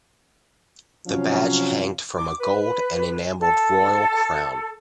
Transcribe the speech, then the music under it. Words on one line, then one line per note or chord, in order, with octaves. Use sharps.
The badge hanged from a gold and enamelled royal crown.
C3 F3 F#3 C#4 F5
D6
B4
A4